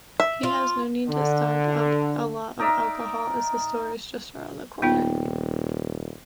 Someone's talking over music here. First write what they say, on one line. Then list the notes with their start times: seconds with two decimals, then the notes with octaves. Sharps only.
He has no need to stock up a lot of alcohol, as the store is just around the corner.
0.20 E5
0.43 F4
1.09 D3
2.59 D#4 A#4 D5 E5
4.82 D#1 B3 D#4 F4 G5